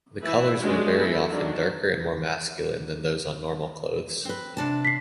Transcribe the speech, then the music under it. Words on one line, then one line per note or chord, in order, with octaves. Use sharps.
The colours were very often darker and more masculine than those on normal clothes.
E3 E4 B4 E5
G#3 B3 C#4 D4 F#4 G4
G#3 E4 A4
D#3 F#3 D4
C4 B4
C3 D4 A5
B6 C7